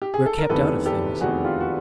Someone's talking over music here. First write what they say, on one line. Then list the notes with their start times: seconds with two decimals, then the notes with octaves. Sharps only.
We're kept out of things.
0.02 G4
0.14 G#4
0.26 A4
0.38 A#4
0.49 F1 E2 C3 D#3 A4 B4
0.86 G4 A4
1.20 F1 E2 C3 D#3 F#4 G#4
1.45 F4 G4
1.60 F#4